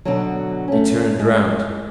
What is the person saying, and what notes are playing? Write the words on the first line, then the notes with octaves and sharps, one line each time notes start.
He turned round.
B2 D3 F#3
A3 C#4
G#3